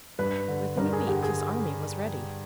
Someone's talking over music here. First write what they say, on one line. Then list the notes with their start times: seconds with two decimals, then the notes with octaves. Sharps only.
Within a week, his army was ready.
0.19 G2 B4
0.48 D3
0.77 G2 A#4
0.93 G#4
1.07 D3 G4
1.23 G#4